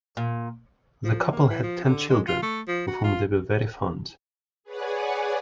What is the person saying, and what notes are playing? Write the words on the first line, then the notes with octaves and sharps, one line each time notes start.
The couple had ten children, of whom they were very fond.
A#2
F3
A#3
E3
F3
D3
G#3
F4
A3
F3
F#4
F4
G#4 B4 C#5 D5 F#5 G#5